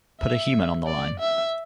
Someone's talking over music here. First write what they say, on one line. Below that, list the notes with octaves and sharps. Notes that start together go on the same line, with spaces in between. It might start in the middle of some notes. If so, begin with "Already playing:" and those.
Put a human on the line.
E5
D5
E5